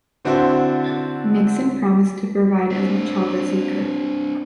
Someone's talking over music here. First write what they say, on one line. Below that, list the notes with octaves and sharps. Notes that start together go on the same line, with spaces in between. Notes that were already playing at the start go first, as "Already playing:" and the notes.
Nixon promised to provide as much help as he could.
D3 C4 D4 E4 F#4 C5
C4 D4